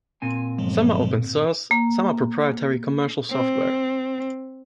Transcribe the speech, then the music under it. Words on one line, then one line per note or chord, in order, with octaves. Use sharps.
Some are open source; some are proprietary commercial software.
A#2 C4 G#5
G1 F3 F#3 G#3
A#3
C4